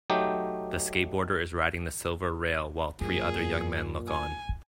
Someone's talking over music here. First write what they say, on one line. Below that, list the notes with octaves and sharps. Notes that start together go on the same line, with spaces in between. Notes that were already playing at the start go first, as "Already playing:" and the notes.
The skateboarder is riding the silver rail while three other young men look on.
F#3 A3 D#4 G4
F#2 A#2 G#4
G#5